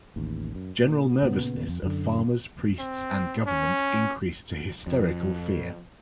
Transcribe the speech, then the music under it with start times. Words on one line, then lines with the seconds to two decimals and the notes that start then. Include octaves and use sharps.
General nervousness of farmers, priests and government increased to hysterical fear.
0.16 A1 D#2
0.55 F#2
0.79 A#2
1.22 A#2 C#3 B3
1.68 F2
1.83 F#2 D3
2.79 C4
3.47 C#4
4.87 F2